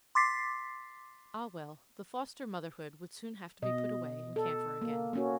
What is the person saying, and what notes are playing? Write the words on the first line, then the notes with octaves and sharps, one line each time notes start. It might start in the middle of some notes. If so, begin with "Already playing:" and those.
Ah, well, the foster motherhood would soon have to be put away in camphor again.
C6 D6 A6 B6 C7
B2 D#5
A4
A#3
A#3 C#4 F#4